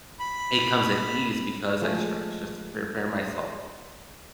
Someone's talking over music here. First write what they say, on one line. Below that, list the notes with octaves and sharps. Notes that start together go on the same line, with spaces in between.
it comes at ease because I stretch just to prepare myself
B5
F3 G#3 A3